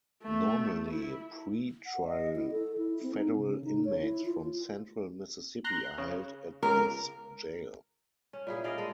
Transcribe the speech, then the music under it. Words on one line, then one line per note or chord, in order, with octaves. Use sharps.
Normally pre-trial federal inmates from central Mississippi are held at this jail.
A3
E4
F#5
D#5
E4
A4
E4
C4
D#4
C#3
D#4
C#5
E4
F4
A#5 C6 F#6
C#3
C#2 A#4
C#4
A#2 E4 G#4
G#4 D5 D#5 F5
G#3 A4